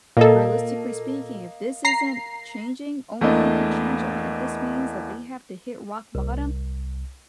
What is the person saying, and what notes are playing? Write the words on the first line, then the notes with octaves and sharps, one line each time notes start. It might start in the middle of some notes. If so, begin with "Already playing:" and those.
realistically speaking, if this isn't changing, only you can change 'em, and if this means that they have to hit rock bottom,
A#2 A#3 A4 D#5
A#5 C7
E2 A3 A#3 D4 E4 D#5
C2